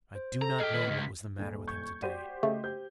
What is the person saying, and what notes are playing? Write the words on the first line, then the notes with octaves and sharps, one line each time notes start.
I do not know what was the matter with him to-day.
C5
A4 A#5
G#4 D#5 G5 F6
D#3 B4
C#2 B2 B6
D#1
C#6 G6 G#6
F#4 G4 C5 D5 D#7
C#3 A3 D#5
G4 C5 G6